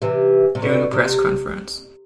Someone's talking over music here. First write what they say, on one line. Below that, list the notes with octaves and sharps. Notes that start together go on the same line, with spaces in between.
During a press conference.
C3 E3
C3
B2 D3
C3